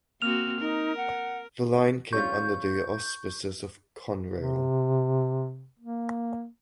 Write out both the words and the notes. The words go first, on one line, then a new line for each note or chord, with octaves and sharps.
The line came under the auspices of Conrail.
A#3 C4 F#4 F6 F7
D#4 A#4
F#5
G3 C#4 F4 C#6 G6
C3
A#3